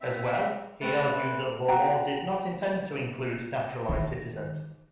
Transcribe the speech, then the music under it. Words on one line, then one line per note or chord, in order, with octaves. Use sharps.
As well, he argued that the law did not intend to include naturalized citizens.
C4 E5
A3 C4 B4 E5
F#4 G5 A#5
D#3